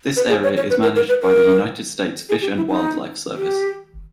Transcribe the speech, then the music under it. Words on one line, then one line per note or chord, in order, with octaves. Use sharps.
This area is managed by the United States Fish and Wildlife Service.
B4
G#4
C#5
C#5
B4
A#4
A#4
B4
A#4
G#4
G4
E4
D#4
G4